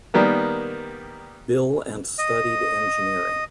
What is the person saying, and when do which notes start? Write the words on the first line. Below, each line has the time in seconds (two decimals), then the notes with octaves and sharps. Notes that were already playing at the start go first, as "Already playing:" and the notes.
Bill and studied engineering.
0.14 D#3 G3 A#3 B3
2.18 D#5